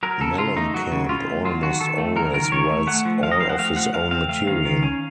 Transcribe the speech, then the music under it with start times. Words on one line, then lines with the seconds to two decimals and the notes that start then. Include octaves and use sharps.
Mellencamp almost always writes all of his own material.
0.03 F#3 A#4
0.20 C#3 A4
0.38 C#3 F4
0.56 A3 D#4
0.74 F#3 F#4
0.92 C#3
1.09 C#3 F4
1.28 A3
1.45 F#3 F4
1.63 D#3 F#4
1.81 D#3 A4
1.98 A3
2.16 F#3 A#4
2.34 D#3 A#4
2.52 D#3 C#5
2.69 A3
2.87 A3 F#5
3.05 F3
3.23 F3 F5
3.31 D#5
3.40 C4 F5
3.50 F#5
3.59 A3 F5
3.76 F3 F#5
3.94 F3 F5
4.11 C4 F5
4.29 A3 F5
4.47 D#3 F5
4.65 D#3
4.83 C#4